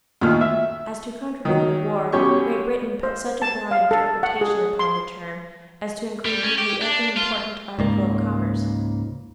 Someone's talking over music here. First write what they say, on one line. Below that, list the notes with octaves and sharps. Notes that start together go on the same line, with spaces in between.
As to contraband of war Great Britain put such a broad interpretation upon the term as to include nearly every important article of commerce.
D2 A#2 D#3 F6
E5
D#3 F#3
B1 F#3 C#4 G4 C#6
C5
A5
F5
A4
F#5
G#4
C6
G3
C#4
G4
D4
F4
C#2 G#2 A#3